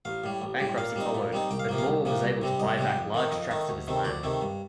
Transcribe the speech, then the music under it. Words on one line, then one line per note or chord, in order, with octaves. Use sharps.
Bankruptcy followed, but Moore was able to buy back large tracts of his land.
A1 F5
A2 G3
A1
A2 G3
A#2 F5
G3 C4 D#4
A#2
G3 C4 D#4
C2 G5
F5
C3 F3 A#3
F5
C2
C3 F3 A#3
C2
C3 G3 C4
C2 D#5
C3 G3 C4
F2
D#3 A3 D#4
F2 D#5
D#3 A3 D#4
D2
C3 D#3 A3 C4
D2 D5
C3 D#3 A3 C4
G2